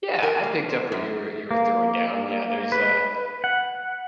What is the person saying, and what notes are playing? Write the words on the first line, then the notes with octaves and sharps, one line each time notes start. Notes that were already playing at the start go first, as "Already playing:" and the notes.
yeah, I picked up what you're you were throwing down, yeah, there's a
A#4
A#3
C5
F#2
A#3
B4
F#5